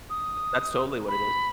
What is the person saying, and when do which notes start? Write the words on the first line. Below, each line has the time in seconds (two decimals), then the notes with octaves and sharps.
That's totally what it is.
0.10 D#6
1.08 B5